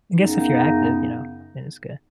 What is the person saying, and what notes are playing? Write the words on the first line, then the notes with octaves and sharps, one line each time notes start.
guess if you're active, you know, then it's good.
F#2 C#3 B3 D#4